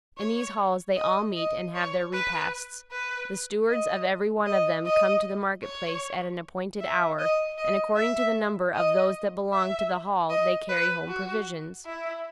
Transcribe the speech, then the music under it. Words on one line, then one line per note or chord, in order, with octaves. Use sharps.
In these halls they all meet and have their repasts; the stewards of every one of them come to the market-place at an appointed hour, and according to the number of those that belong to the hall they carry home provisions.
C#5
D#5
D#5
C#5
B4
B4
D#5
D#5
D#5
C#5
E5
D#5
D#5
E5
D#5
E5
D#5
B4
F#4
E4